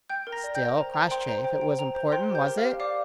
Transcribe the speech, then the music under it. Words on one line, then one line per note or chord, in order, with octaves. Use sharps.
"Still, Crossjay, if it was important--was it?"
G5 G6
A#4
A#5 A#6
D5
G5 G6
A#4
C5 A#5
G5 A#5
C5 G5 C6
C5 A#5
C5 G5
G5
G5 A#5
C5
C5 G5 C6
G4
G5 G6
A#4
F5 F6
G4
D5 F5 D6